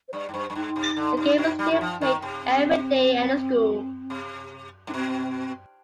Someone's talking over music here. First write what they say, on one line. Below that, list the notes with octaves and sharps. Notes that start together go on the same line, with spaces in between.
The game is still played every day at the school.
C5
G2 D5
G#2
G2 C5
G2
G#2 D#4
C3
D3
C3
B2
G3
D#3
F3
D#3
C3
C4
C3
G#2 D4
B2 C4